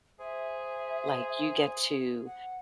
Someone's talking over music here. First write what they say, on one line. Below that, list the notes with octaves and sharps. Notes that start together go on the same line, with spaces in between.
Like, you get to
G#4 C5 E5
F#5